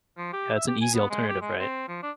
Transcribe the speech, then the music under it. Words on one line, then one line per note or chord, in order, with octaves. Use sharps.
yeah, it's an easy alternative, right?
F3
G4
E5
G4
G#5
B3
G#3
G4
G#3
C4
F3
D4